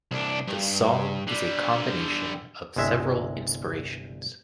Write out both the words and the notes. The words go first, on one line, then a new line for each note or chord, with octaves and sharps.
The song is a combination of several inspirations.
C2 D4
G2
D3 G3
G1 C2 G#3 E5